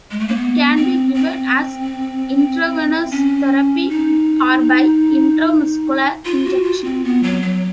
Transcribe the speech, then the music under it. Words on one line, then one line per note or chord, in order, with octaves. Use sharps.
It can be given as intravenous therapy or by intramuscular injection.
G#3
A3
A#3
B3
C4
C4
C#4
D#4
F4
F#4
F4
C4
B3
F#3
F#3